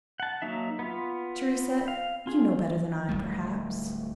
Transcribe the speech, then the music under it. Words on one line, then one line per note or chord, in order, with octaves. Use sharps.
Theresa, you know better than I, perhaps.
F#5 A5
F#3 A#3 D#4 E5
B3 F4
F5
F4 G#4
D1 D#2 G3 A3